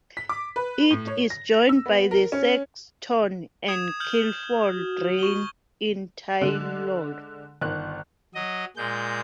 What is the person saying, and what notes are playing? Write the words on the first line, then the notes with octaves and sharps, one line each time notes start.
It is joined by the Sexton and Kilfoil Drain in Taylor.
B6
D6
B4
A2
C#5
A#6
E6
B3
A#4
C#4
D#6 G#6 E7
F6 G6 F#7
F#4
C#6 G7
D3 G#3 D4
G1 D#3 C5 F#6
F#3 D#5
A#2 G#3 G6